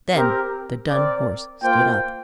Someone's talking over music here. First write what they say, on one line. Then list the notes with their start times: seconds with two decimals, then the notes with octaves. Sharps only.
Then the dun horse stood up.
0.14 C4 G4 A#4
0.89 C4 A#4 D5
1.63 A#3 F4 C5 G5